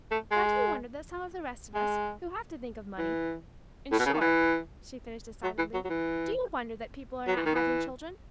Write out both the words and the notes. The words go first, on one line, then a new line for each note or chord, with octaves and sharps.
Now do you wonder that some of the rest of us, who have to think of money--in short," she finished decidedly, "do you wonder that people are not having children?
A3
G#3
G#3
E3
A2
B2
C#3
D#3
E3
F#3
E3
F#3
F#3
E3
F#3
E3
D#3
E3